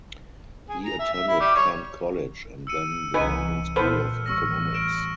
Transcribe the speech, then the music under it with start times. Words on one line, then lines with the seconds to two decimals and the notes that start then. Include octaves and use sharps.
He attended Kent College and then the London School of Economics.
0.69 G#4
0.85 A#5
0.99 E5
1.13 E5
1.27 E4
1.40 G3
1.55 C#5
2.67 E6 C#7 D#7
3.14 C2 E3 D#4 B4 G#5
3.76 A#2 A4 B4 C5 F6
4.26 A1 G3 C#6 E6 A#6
4.74 F6 D7 E7